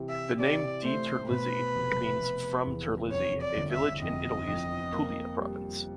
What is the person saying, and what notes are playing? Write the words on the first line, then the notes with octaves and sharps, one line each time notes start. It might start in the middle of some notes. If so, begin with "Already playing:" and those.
The name DiTerlizzi means "from Terlizzi", a village in Italy's Pulia province.
Already playing: C3 E3
E5
C3 D5
A3 C5
B2 B4
F1
F1
E2
F2 C#5
D5
G1
E5
F2 D#5
F2
A#3
G3